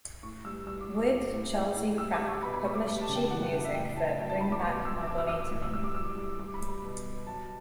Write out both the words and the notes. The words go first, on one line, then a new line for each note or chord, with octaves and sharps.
Wood, Charles E. Pratt published sheet music for "Bring Back My Bonnie to Me".
A2 C#6
G3 E6
G3 E6
D6
G3
D6
A2
A2
A2
A2
G3 E6
D6
G3
C#6
B2 B5
B5
G3 C#6
D6
G3 D6
A5
C#3
G5
E3 F#5
F#5
C#3 G5
E5
A2 G5
A2 A5
F#3 G5
A5
A2 B5
D6
C#6
B2 D6
B2 E6
F#3 D6
E6
F#3 E6
D6
A2
E6
G3 E6
D6
G3 E6
G3
G3 D6
B5
G3
B5
B2
B2
F#3 A5